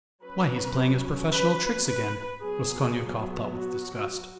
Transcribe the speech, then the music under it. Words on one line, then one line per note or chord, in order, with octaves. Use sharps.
"Why, he's playing his professional tricks again," Raskolnikov thought with disgust.
F#3 C#4 B4
B4
B4
F#3 B3 G#4
F#4